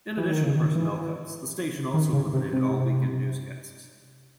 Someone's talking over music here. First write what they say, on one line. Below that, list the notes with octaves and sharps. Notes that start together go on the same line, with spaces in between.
In addition to personnel cuts, the station also eliminated all weekend newscasts.
E3
D#3
C#3
D#3
E3
D#3
C#3
C3
C3